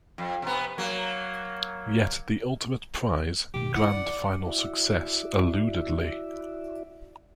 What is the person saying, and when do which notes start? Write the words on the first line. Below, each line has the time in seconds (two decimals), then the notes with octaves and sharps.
Yet the ultimate prize, Grand Final success, eluded Leigh.
0.18 F2
0.42 C3 B3
0.78 F#3 A#3
3.54 B2 D#3 G4
3.74 D#4 E4 F#5
3.91 D5
4.46 E4 F#4 D5 E5